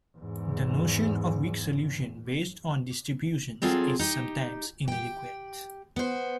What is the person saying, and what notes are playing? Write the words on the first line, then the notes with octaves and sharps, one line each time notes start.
The notion of weak solution based on distributions is sometimes inadequate.
E2 G#2
F#3 C4 F4 G#4 A4
D#4 G4
G4 G5
B3 C5